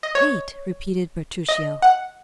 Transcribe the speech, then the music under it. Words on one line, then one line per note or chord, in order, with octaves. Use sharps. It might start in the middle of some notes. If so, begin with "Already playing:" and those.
"Eight!" repeated Bertuccio.
D#5
C#5
D#5
F#5